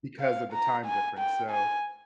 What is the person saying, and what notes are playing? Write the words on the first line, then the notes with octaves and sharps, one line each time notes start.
because of the time difference, so,
F5
A#5
G#5
G5
G#5